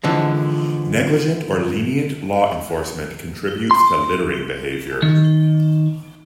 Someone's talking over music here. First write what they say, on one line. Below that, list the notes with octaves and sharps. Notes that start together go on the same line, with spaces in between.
Negligent or lenient law enforcement contributes to littering behavior.
D3 E3 F3 G#3
C6
D#3